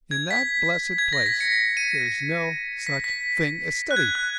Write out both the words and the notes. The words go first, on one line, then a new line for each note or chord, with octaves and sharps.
In that blessed place there is no such thing as study.
G#6
B6
G#6
A#6
B6
C#7
D#7
B6
B6
F#6
G#6
F#6